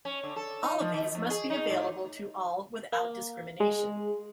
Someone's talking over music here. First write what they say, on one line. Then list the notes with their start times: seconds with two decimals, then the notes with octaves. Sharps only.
All of these must be available to all without discrimination.
0.05 C#4
0.23 D3
0.36 A4
0.63 D#4
0.80 F3
0.94 D#3
1.15 F2
1.30 G#4
1.50 D#4
1.70 A2
2.93 A#3
3.60 G#3